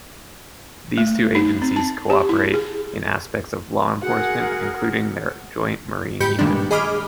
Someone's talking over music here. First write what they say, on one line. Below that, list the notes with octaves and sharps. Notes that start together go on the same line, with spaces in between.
These two agencies co-operate in aspects of law enforcement, including their joint marine unit.
A3
D#4
C4
A5
G4
E4
G#4
F#4 G#4 A#4 F#5
G#2 G4 B5 G6 C#7
G2 A#2 D#3 G3 G#3 D4
G#4 D#5 B5 D6 F6